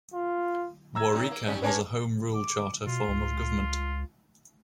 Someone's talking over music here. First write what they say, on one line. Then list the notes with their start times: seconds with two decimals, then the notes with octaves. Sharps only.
Waurika has a home rule charter form of government.
0.14 F4
0.95 A#5 E6 G#6
1.13 A2 D#4
1.31 A#3
1.47 G3 C#4 D#4
1.62 A#3 D4 B4 C#5 G#5 A5
2.35 D6
2.87 B2 F4
3.08 C#2